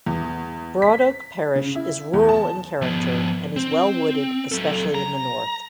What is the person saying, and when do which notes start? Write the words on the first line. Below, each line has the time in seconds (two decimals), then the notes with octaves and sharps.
Broadoak parish is rural in character and is well wooded, especially in the north.
0.06 E2
0.82 B6
1.56 C#3
1.75 E4
2.14 E2
2.29 A5
2.82 F3 B3
3.56 C4
4.52 F#3 A4
4.95 A#5